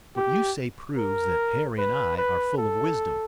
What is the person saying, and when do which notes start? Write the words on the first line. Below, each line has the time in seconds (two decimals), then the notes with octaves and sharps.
What you say proves that Harry and I are full of wisdom.
0.16 G4
0.97 A#4
1.78 B4
2.18 B4
2.58 A4